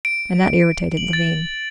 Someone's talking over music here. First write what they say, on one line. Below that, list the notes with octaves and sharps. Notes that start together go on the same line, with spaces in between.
And that irritated Levin.
D7
F#7
A6